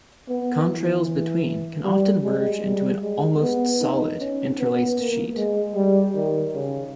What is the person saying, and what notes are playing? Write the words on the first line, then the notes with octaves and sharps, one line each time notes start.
Contrails between can often merge into an "almost solid" interlaced sheet.
B3
E3
G3
G#3
G3
G#3
B3
D#4
C#4
B3
A#3
G#3
G3
D#3
C#3